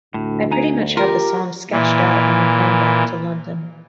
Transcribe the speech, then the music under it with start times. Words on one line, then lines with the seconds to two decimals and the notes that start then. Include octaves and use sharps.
I pretty much had the song sketched out on the plane back to London.
0.14 D2 A2
0.51 D#4 G#5 A#5
0.97 F4 G4 A#4
1.71 A#2 E3